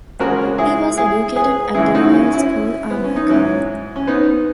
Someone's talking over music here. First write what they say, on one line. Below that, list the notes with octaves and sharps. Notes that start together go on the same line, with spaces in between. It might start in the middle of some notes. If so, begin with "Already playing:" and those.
He was educated at The Royal School, Armagh.
C#2 C#3 G#3 F#4 A#4
E4 G#4
E4 G#4
G#4 B4
F#2 C#3 E3 G#3 E4 G#4
D#4 F#4
C#4 E4
C#4 E4
B3
C#4
D#4
G#2 F#3 C#4 E4
C#4
B3 D#4